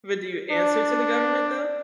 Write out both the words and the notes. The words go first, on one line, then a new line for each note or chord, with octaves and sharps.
But do you answer to the government though?
D4